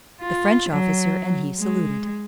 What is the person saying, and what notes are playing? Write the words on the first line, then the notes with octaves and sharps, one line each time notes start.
The French officer and he saluted.
F4
F#3
G#3